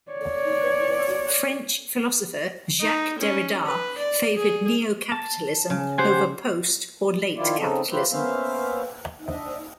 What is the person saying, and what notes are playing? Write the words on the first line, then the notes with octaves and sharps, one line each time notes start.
French philosopher Jacques Derrida favoured "neo-capitalism" over "post-" or "late-capitalism".
C#5 D5
D#4
C#4
B4
D5
G#4
A5
C#3
G4 C5 F#5 G#5
D#3 F3 E4 F4 D5
C#3 C4 D#4 A4
F4 G4 B4 C5 E5
A#3 B3 C#4 C5 E5 F5
D4 D#5 E5